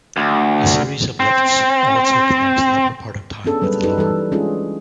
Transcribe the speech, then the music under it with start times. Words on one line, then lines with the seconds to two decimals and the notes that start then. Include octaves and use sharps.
A series of lifts also connects the upper part of town with the lower.
0.17 D2
1.20 C4
3.44 B3 C#4 D4 G#4 A4
3.62 F#3 G3 A#3 B4
3.83 D#4 G4 A4 B4
3.98 E3 G3 A4
4.32 G#3 C#4 D4 E4 F4 G#4